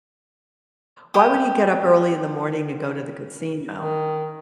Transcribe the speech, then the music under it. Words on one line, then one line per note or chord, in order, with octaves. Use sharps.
Why would he get up early in the morning to go to the casino?
G4 D6 D#6
D#3